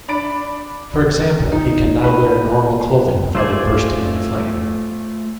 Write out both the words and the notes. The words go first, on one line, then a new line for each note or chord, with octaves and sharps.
For example, he can now wear normal clothing without it bursting into flame.
D4 B5 A6 D7
D#4
B4
A3 F4 C5 D5 G#5